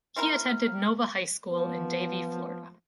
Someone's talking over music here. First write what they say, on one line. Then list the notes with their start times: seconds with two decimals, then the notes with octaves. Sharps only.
He attended Nova High School in Davie, Florida.
0.16 C4 E4 A#4 F6
1.48 F3 B3